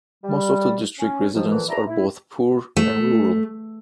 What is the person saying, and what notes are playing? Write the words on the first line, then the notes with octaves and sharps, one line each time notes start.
Most of the district residents are both poor and rural.
G3
C#4
D#2 F3
A#2 D3 E3 F3
E4 F#4 G#4 D5 A5 A#5
E4
A3